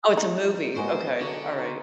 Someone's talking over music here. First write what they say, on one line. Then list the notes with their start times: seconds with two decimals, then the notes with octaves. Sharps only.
Oh, it's a movie, okay, all right.
0.17 D#4
0.76 G#3 B3 F#4 G#4 A#4 C5 D#5
1.21 D3 F#3 F#4 B5
1.59 D#4 C5